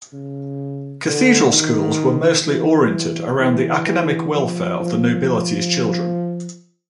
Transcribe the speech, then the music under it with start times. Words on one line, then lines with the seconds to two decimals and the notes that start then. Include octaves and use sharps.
Cathedral schools were mostly oriented around the academic welfare of the nobility's children.
0.13 C#3
1.06 D3
1.53 D#3
2.46 E3
3.40 E3
3.86 E3
4.33 F3
4.80 F3